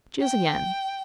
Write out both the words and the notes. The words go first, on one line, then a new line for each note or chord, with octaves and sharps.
Choose again.'
G5